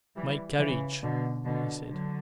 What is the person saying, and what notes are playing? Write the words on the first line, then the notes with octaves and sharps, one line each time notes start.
"My carriage!" he said.
E3 G3
C#3 E3
B2 D3
B2 D3
D3 F#3